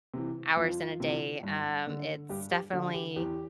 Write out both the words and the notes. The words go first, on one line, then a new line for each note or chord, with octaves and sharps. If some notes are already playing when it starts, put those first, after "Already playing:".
hours in a day. Um, it's definitely
C3 E3
F2 F4
C3 E3
G2
D3
G2 G4
G4
D3 F#4
G4
E2 G4